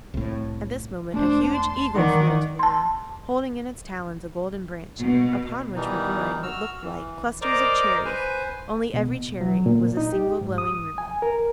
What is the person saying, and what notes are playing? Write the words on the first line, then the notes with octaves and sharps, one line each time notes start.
At this moment a huge Eagle flew into the room, holding in its talons a Golden Branch, upon which were growing what looked like clusters of cherries, only every cherry was a single glowing ruby.
C2 A2
E1 A3 D4 C5
A5 C6
D#3 D5 F#5
A5 C6
B2
B2 D#3 E3 G3 D#4
F#4 E6 F6
E3
A#4 C5 D5 D#5 A#5 D6
B4 C5 G#5
B2
F#3
A#2
D#4
G4
G#2
D#6
G#5
A#4